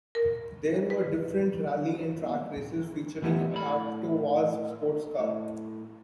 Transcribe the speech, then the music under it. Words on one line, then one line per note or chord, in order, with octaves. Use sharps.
There were different rally and track races featuring Avtovaz sports cars.
A#4
B4
A2 E3 B3 G4
A2 D5 B5
A2